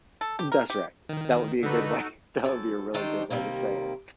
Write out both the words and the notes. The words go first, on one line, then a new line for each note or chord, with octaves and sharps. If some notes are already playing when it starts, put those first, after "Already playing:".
That's right. That would be a good way. That would be a really good way to say it,
A4
G4
A#4
G4
D#3
D3 D#4 F#4 A4 B4
F#2 A4
D#3 A3 D4 D#4 G4 C5
C3 D#3 E3 F#3 G3 A#3